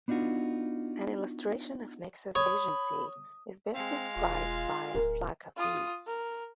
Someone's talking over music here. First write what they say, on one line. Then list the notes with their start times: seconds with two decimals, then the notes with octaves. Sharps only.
An illustration of nexus agency is best described by a flock of geese.
0.08 B3 D4 D#4 F4 F#4
2.35 C#5 B5 D#6
3.74 G#3 C4 F5
4.16 E1 F4
4.95 D1 A#4
5.56 F4 D#6
6.06 A#4